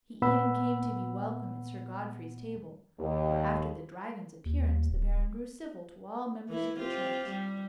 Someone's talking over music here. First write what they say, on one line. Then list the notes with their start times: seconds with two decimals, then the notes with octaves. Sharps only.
He even came to be welcome at Sir Godfrey's table; for after the Dragon's appearance, the Baron grew civil to all members of the Church.
0.22 A#2 B3 F#5 B5 E6
2.99 D#2
4.45 D#2
4.90 D1
6.49 E3 E4
6.79 C4 F4 G4
7.29 G3